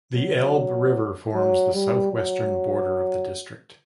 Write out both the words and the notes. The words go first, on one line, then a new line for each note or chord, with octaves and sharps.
The Elbe river forms the southwestern border of the district.
F#3
F#3
G3
F#3